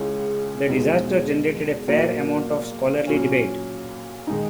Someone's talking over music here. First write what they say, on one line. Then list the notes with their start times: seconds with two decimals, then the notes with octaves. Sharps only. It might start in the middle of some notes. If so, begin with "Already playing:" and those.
The disaster generated a fair amount of scholarly debate.
Already playing: C#2 C#3 G#3 C#4 E4
0.67 E2 B2 G#3 D#4
1.88 A#2 F#3 A#3
3.08 A#2 F#3 C#4
4.27 D#3 G#3 D#4